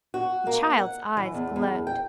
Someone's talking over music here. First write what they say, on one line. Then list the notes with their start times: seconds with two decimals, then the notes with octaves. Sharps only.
The child's eyes glowed.
0.14 F#4
0.47 A#3
0.78 F#5
1.17 E3
1.34 E2
1.56 E2
1.87 G5